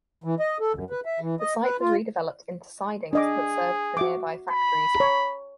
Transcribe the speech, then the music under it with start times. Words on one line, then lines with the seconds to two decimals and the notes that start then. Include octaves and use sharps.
The site was redeveloped into sidings that served the nearby factories.
0.24 E3
0.39 D#5
0.60 A4
0.74 F#2
0.90 B4
1.05 E5
1.20 E3
1.40 D#5
1.63 B4
1.81 F4
3.13 D4 G#4 D#5 D6
3.97 F#4 E5 D6
4.50 B5
4.96 C#5 A#5